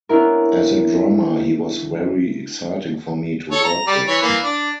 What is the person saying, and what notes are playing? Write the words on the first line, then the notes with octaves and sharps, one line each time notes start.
As a drummer, he was very exciting for me to work with.
B3 C#4 D4 E4 A#4
A4 C#5
A#5
G3 D5
E3 C#5
E3 A#3
D4